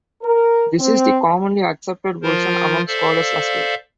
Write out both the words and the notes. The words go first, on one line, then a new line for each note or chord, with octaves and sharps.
This is the commonly accepted version among scholars as well.
A#4
C4
F3 F4 A#4 C5
A4 C5 D5 E5 F5